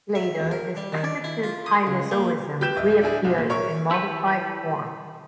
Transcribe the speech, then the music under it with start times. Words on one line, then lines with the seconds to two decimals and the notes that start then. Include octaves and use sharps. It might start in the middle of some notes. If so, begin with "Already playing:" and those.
Later this primitive hylozoism reappeared in modified forms.
0.15 E5
0.40 E2
0.51 A#4
0.77 G3
0.92 D#3
1.04 D5
1.24 E4
1.43 F4
1.66 D#6
1.87 C#2
2.11 A#3
2.61 G4 B4 G6 E7
2.76 D1 D#5 E5
3.01 D4 E4 G#4
3.24 C2
3.38 A#2
3.50 A#4 C#5 E5 C#6
3.91 E4 G4 A4 B4